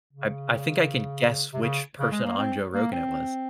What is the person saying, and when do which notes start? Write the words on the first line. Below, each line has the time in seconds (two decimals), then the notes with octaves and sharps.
I I think I can guess which person on Joe Rogan it was.
0.13 C#3
1.53 C3
1.62 C#3
1.99 C#3
2.11 G#3
2.24 A#3
2.37 C4
2.74 A#3
2.92 C4